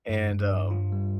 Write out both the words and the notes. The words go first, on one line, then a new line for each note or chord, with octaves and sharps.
and, um,
G2
G2
G2
F4
G3